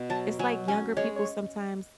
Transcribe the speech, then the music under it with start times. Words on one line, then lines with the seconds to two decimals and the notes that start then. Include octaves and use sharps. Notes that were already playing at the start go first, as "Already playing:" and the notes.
It's like younger people sometimes
Already playing: B2
0.10 F#3 A5
0.39 F#3 G#5
0.68 C#4 G#5
0.97 G#3 C#5
1.16 C#5